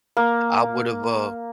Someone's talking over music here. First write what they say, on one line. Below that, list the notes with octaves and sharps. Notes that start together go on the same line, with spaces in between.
I would 've uh,
A#3